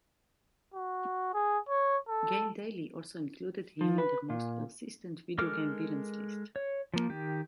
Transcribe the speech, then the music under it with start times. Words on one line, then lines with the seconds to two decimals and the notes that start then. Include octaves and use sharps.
GameDaily also included him in their most persistent video game villains list.
0.74 F#4
1.34 G#4
1.69 C#5
2.08 A4
3.81 F3
3.98 B4
4.30 A#2
5.38 G#3 A4 A#4 D6 F6
6.56 C#5
6.94 F3 A#3
7.09 D#3 G4